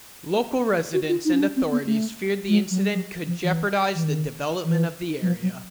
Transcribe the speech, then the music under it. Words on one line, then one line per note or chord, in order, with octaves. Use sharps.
Local residents and authorities feared the incident could jeopardise the development of the area.
F#4
F4
D#4
C#4
D4
C4
B3
A3
G#3
F#3
G3
F#3
F3
E3
E3
D#3
E3
F#3
F3
F#3